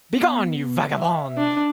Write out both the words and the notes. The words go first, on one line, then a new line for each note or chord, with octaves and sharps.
Begone, you vagabond!
B3
E5
D4